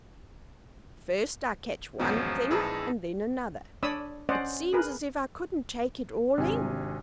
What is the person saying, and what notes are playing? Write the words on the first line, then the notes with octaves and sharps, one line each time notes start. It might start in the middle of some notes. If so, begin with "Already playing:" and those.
First I catch one thing and then another; it seems as if I couldn't take it all in.
G#1 E2 B2 F3 F#3 G#3 C#4
A#1 E3 D#4 G#4 A5 E6
D4 C#5 D5 B5 D#6 E6
C#4 C5 D5 D#5 F#5
G#4 A#4 B4
G#1 C3 D4 G#5